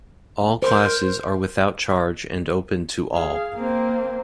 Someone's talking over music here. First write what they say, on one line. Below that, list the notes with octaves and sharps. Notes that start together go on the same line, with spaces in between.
All classes are without charge and open to all.
A#4 C5
G#4 F5
A#3 C4